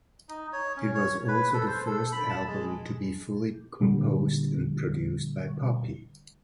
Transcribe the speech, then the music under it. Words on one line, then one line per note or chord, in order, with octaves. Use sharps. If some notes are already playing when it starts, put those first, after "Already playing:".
It was also the first album to be fully composed and produced by Poppy.
D#4
C#5
C#4
C#5
B4
A4
C5
A4
B5
A5
G#3
A#2 D3 G3